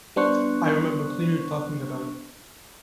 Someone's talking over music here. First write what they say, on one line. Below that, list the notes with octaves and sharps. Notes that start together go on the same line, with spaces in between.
I remember clearly talking about it.
G3 B3 D4 C5 C#6 F#6